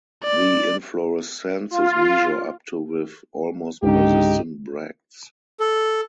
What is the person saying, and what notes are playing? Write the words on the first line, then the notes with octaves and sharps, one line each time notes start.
The inflorescences measure up to with almost persistent bracts.
D5
F4
C#2 G#2 D3 D#4 G4
A4